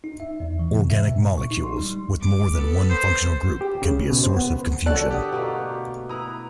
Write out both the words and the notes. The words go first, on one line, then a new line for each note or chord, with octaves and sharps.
Organic molecules with more than one functional group can be a source of confusion.
D#4
E5
E2
E3
C3
E5
A#2
C#6
D#4
C6
G3
D6
B3 A4
C5
G4
C#3
B2
C5
B3
D3 F#4 A4 D5 F#6
G4 F#5 D#6
B2 A3 A#3
E4 B4 A#5 D#6